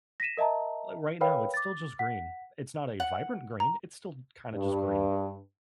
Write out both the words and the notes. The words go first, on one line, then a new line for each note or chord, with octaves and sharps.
Like right now, it's still just green. It's not a vibrant green, it's still kinda just green,
A#6 B6 D#7 E7
A#4 D#5 E5 A5 A#5
A#4 B4 C#5 F5 G5 B5
D6 A6
F#5 B6
F#5
A#5
G2